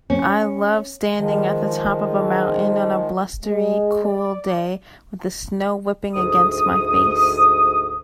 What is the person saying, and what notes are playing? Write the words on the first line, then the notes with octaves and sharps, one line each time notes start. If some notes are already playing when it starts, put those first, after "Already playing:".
I love standing at the top of a mountain on a blustery, cool day with the snow whipping against my face.
C#4
D#3 F3 G#3
G#3
D5
D2 G#2 D#6